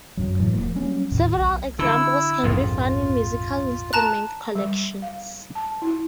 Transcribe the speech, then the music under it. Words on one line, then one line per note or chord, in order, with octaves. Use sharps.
Several examples can be found in musical instrument collections.
F#2 F#3
A2 E3 F#3
D#1 F3 A#3
F#3 G3 A#3 C#4
D#2 A2 D#3
B1
D3 E4 E6
A#1 F2 G#2 F4
A5 A#5 F#6
G3
F5
A5
E4